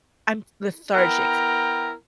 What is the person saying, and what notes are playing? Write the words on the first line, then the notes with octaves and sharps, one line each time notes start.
I'm lethargic.
B3 E4 A#4 G5 A#5